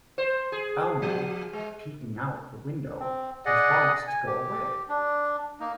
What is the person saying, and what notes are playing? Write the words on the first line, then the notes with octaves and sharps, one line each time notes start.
Elmer, peeking out the window, tells Bugs to go away.
C5
G#4
F3
G#3
C4
G#4 D5 D#5 F#5
G#5
G4
D4
A#3 D#4